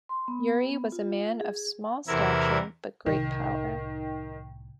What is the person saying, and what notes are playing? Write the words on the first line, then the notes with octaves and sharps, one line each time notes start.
Urey was a man of small stature but great power.
C6
B3
B3
F4
G#4
E2 C3 E4 A#4 G#6
C2 A2 D#3